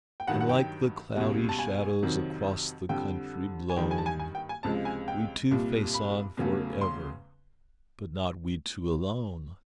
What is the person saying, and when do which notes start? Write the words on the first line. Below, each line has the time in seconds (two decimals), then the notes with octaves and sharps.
And like the cloudy shadows Across the country blown We two face on for ever, But not we two alone.
0.20 G5
0.27 G2 D#3 F#3 F#5
0.40 F#5
0.49 G5
1.15 C#2 B2 G3
1.49 A5
1.59 G#5
2.02 F2 C3 D#3 F#3
2.89 F2 D3 G3 G5
3.70 G#5
3.76 G2 D#3 G3 G5
3.91 G#5
3.98 A5
4.06 G#5
4.20 G#5
4.35 G5
4.49 G#5
4.63 C#2 C3 F3 G#3 A5
4.85 G#5
5.08 G5
5.51 C2 A#2 G3
5.94 B5
6.37 E2 C#3 F#3 A3
6.81 C6